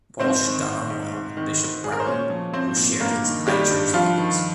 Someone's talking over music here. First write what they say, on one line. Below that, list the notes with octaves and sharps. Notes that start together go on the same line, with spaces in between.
Walsh got on well with Bishop Broughton who shared his High Church leanings.
G#2 C4 C5
D#3
D#3
G#2
G#2
D#3
D#3
G#2 G#4
A#4
C5
A#2 C#4 C#5
F3
F3 C4 C5
A#2
G2 A#3 A#4
D#3
D#3 G3 G4
G2
G2 F3 F4
D#3